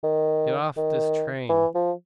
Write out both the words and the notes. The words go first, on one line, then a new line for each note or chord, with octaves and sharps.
"Get off this train."
D#3
D#3
E3
F3